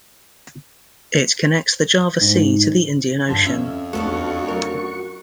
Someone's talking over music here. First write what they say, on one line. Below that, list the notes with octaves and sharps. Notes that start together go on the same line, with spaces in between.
It connects the Java Sea to the Indian Ocean.
G#2
G2 D3 F3
F2 C#4 E5
E2 A3 B3 C#4 D4 F#4 A4 C#6
F#3 A#4